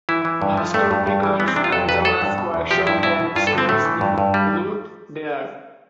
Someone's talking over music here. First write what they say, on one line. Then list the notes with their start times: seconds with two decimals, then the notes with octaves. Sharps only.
Bhaskar frequents Anjamma’s workshop and stores his loot there.
0.09 E3 E4
0.25 E3
0.42 G2
0.57 F3
0.74 G2 A3
0.91 G2
1.07 G2
1.23 E3
1.40 E3 B3
1.48 C4
1.56 C3 D4
1.64 F4
1.72 F2 A4
1.89 F2 B4
2.05 E3 A4
2.22 G2
2.38 B2
2.54 E2
2.71 F3 G4
2.87 G2 E4
3.03 B2 E4
3.20 B2
3.36 G2 F4
3.47 A4
3.52 D3
3.58 C4
3.69 A2 A3
3.85 E3
4.01 G2
4.18 G2
4.34 G3